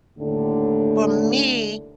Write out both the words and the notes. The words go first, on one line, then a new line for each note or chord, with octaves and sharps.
for me,
D#2 A2 D3